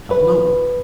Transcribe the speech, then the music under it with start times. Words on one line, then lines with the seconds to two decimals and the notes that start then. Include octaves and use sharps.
Tell no one.
0.11 B4